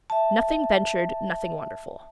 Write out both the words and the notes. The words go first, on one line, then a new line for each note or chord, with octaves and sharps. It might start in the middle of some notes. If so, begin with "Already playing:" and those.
Nothing ventured nothing wonderful.
E5 A5